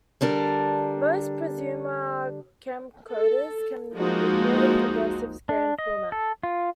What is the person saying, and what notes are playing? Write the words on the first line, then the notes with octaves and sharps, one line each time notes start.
Most prosumer camcorders can record in progressive scan formats.
D3 G3 D4 A#4
A4
F3 G#3 A#3 D#4 F#4
D4
D#5
A4
F4